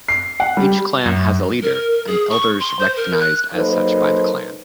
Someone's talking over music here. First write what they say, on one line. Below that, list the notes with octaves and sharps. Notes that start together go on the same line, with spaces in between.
Each Clan has a Leader and Elders recognized as such by the Clan.
C7
F#5
G3
F#2
A#4
A#4
G#4
C#6
C6
C5
A#4
F#6
F#3 A#3 D#4 A4 B4 C5